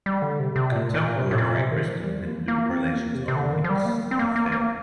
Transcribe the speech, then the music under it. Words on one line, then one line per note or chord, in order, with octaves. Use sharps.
Contemporary Christian-Hindu relations are a mixed affair.
G3
D3
C3
C3
A#2
A#2
C3
A2
A#2
C3
D#3
F3
G3
A#3
A#3
C4
A#3
C3
C3
D3
D#3
F3
G3
A#3
C4
A#3
A#3
A#3